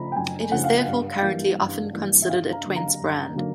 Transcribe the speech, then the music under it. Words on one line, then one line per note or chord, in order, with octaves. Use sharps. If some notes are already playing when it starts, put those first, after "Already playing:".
It is therefore currently often considered a Twents brand.
Already playing: C#3 F3 A3 A#5 B5
G5
F#2 G#5
C#3 F3 A3 F#5
F5
G2
E3 G3 A#3
G2
E3 G3 A#3
E5
G2 F5
A#5
D3 F#3 A#3
A#5
G2
D3 F#3 A#3